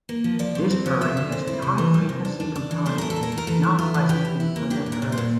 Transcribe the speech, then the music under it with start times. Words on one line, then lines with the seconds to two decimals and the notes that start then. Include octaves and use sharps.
This purring has a high-frequency component not present in other purrs.
0.09 A#3
0.24 F3
0.39 F3 D5
0.55 F3
0.71 C4
0.86 F3
1.01 D3 E5
1.17 D3
1.32 C4
1.47 E4
1.62 C3
1.78 E3
1.94 G3
2.09 C3
2.25 D4
2.40 D4
2.56 D4
2.71 E3
2.86 A3 C5
2.98 A3 A#4
3.10 A4
3.16 A#2
3.23 A#4
3.32 A3
3.38 A#4
3.47 E3 A4
3.63 A3
3.79 E4 F4
3.94 E3
4.09 E3 G4
4.25 E4
4.40 E4
4.56 A#3
4.70 D4 G4
4.86 A#2
4.92 A#4
5.02 A#2
5.12 C5
5.18 A#2